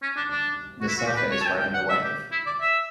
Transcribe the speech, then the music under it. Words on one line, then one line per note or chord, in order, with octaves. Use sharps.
The surfer is riding the wave.
C#4
D4
D4
F#4
E4
F#4
G4
B4
C#5
A5
G5
G5
F#5
E5
G4
E4
D5
E5